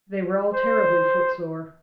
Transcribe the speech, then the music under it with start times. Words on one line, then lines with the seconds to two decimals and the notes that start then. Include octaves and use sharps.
They were all terribly footsore.
0.54 C5